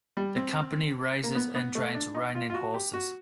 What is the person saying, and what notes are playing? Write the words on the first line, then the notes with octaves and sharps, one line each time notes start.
The company raises and trains reining horses.
G3
C4
A#3
B3
B3
A3
D4
D#4
F4
F4
F#4
G4
F#4